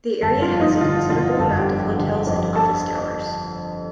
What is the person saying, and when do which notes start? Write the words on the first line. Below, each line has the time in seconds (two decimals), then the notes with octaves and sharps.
The area has a considerable amount of hotels and office towers.
0.22 G1 A4
0.42 F4
0.51 F2
0.61 D#4
0.80 D3 F4
1.10 D3 F4
1.39 G1 A4
1.58 G4
1.68 F2
1.78 G4
1.97 D3
2.26 F2
2.55 A4